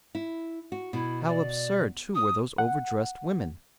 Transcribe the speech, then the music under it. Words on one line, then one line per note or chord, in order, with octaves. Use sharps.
How absurd, too, were those overdressed women!
E4
F#4
B2 E4
D5
D#6
F#5